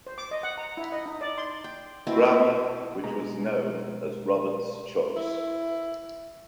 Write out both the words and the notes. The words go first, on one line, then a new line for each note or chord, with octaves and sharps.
Grammar, which was known as Robert's Choice.
C5
D6
D#5
F#5
A#5
E4
D#5
D#4
D5
C6
G5
B2 C4 E4
B2 G#3 A#5
E4